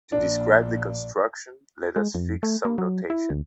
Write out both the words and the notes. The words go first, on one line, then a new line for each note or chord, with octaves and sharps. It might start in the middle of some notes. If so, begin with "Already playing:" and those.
To describe the construction let us fix some notation.
A#1 A#2 D4
G#3
F2
A3
A#3
F#3
E4
D2